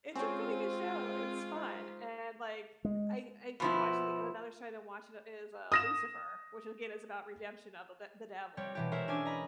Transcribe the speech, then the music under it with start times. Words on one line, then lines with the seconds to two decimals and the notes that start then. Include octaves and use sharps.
it's a really good show, and it's fun, and, like, I I've been watching and another show I've been watching is, uh, Lucifer, which again is about redemption of the d the devil.
0.15 G#3 C4 C#4 F4 C#5
0.48 C5
1.55 D#4
2.85 G#3
3.60 B2 F3 E4
5.72 D#6 A#6 E7
8.57 G3 C4 G4 C#5
8.75 B2 E3 G4
8.92 G#3 E4 A#4 C5 C#5 E5
9.08 C#4 D4 D5 G#5
9.25 D#5 A#5 B5